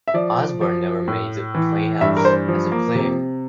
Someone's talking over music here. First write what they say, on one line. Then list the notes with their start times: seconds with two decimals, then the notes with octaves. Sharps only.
Osborne never made the playoffs as a player.
0.08 E5
0.14 F3 D5
0.61 F3
1.08 A2
1.55 E3
2.01 G2 E5
2.17 A#4
2.25 C5
2.48 F3
2.72 A#3
2.95 C3